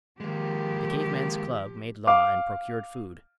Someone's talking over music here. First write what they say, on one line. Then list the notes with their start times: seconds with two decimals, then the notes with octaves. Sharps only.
The cave man's club made law and procured food.
0.20 D#3 F3 G#3 A#3 G4
2.07 F5 D6